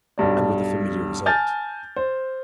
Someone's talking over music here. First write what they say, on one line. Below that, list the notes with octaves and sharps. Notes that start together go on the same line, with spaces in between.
And with the familiar result.
B1 G2 D5
G#5 A5 F6 G6 A6
C5